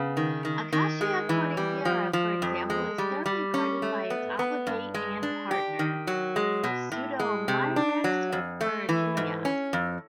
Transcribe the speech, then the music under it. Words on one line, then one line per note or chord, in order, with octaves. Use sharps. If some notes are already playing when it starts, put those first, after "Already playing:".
"Acacia cornigera", for example, is thoroughly guarded by its obligate ant partner, "Pseudomyrmex ferruginea".
Already playing: C#3 B3
D#3
D#3
D#3
G#3
E3
G3
F3
F3
F2
G#3
G3
G3
C#4
A3
B3
B3
G2
G#3
D4
G4
D#3
F#3
G#3
B2
A2
G#3
C3
D4
F#3
F2
A3
E3
G#2
C#4
F2